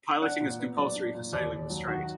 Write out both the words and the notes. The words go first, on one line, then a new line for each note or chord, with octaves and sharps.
Piloting is compulsory for sailing the strait.
D4 F#5
A#2
B3
F#3 D5
D4
A#2
D#2 D5
D#2
F#3
D#3 F#4